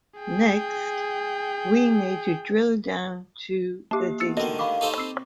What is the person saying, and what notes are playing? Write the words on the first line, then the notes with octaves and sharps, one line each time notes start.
Next, we need to drill down to the detail.
G#4 G5
A#3 G4 A5 D6
B3 E6 A6 C#7
D3 D#3 F#4 D#5
F5 B5 C#6 D6
D#4 A4 C5
C4 E6 C7